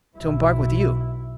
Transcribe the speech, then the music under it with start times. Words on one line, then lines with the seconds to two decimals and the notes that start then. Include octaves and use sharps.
"To embark with you."
0.18 B1 E4